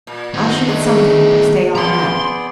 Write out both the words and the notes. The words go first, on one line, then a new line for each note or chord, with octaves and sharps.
I'll shoot something, if I stay all night.
A#2
D#3 B3 C5 D#5 F#5
A3 D4 D#4 G#4
E2 B3 G#4 D5 A#5 C6